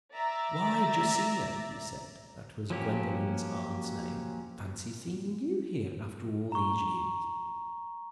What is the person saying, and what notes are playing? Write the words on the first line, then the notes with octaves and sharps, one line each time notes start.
"Why, Josina," he said--that was Gwendolen's aunt's name--"fancy seeing you here after all these years!"
D5 E5 A#5
F3 F#3 A#3 C#4 G4
A#5 C#6